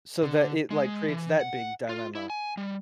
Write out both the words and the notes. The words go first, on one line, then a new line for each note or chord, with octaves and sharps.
So that it, like, creates that big dilemma
D3
G#3
E3
F#5
F4
E4
G#5
G3